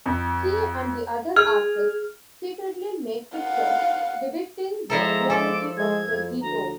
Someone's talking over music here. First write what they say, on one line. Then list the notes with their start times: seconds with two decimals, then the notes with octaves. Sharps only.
He and the other artists secretly make pictures depicting the reality of the Ghetto.
0.06 F2
1.36 G#4 F6
3.37 F5 F#5
4.90 F3 G#3 E4 A4 A#5
5.30 A4 D6
5.77 G#3 G#6
6.10 F2
6.41 D2 A#5